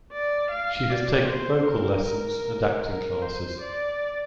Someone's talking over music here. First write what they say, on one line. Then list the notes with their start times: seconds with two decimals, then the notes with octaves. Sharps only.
She has taken vocal lessons and acting classes.
0.12 D5
0.51 F5
0.89 D5
1.28 C5
1.68 A#4
2.84 A#4
3.22 C5
3.61 D5